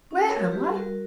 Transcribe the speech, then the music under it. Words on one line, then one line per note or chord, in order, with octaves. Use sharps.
"Where am I?"
C#4
F#4 A#4 C#5
F#4
G4 B4
G3
F#4 A#4
G3